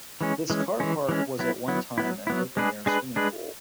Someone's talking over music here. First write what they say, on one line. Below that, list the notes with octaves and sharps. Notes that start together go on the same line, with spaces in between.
This car park was at one time an open-air swimming pool.
E3 G#3 C#4
E3 G#3 C#4
E3 G#3 C#4
E3 G#3 C#4
F#3 B3 E4
F#3 B3 E4
F#3 B3 E4
F#3 B3 E4
G#3 D4 G#4 B4
G#3 D4 G#4 B4
G#3 D4 G#4 B4